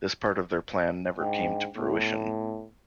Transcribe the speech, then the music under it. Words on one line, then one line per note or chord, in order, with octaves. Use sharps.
This part of their plan never came to fruition.
G#2 D4 D#5 G5
A2 B3